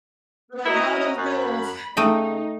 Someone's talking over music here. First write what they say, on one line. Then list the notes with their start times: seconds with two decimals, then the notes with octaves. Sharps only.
Like, how are those bills?
0.65 E4 F#4 D#5 A#5
1.17 F#2 B5
1.97 C#3 A3 D#4 D#5 G5